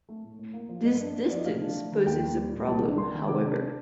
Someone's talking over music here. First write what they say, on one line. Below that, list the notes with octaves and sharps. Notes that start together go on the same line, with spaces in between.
This distance poses a problem, however.
A3
A2
A2
A#3
F3
G2 D#5
D4
A#3
F3 D5
D#5
A2 F5
D4
A3
D#3
D#2 G5
D#2
G3
A#2
C2 A5
D4
A#3 C6
D#3
C3 D6
D4
D4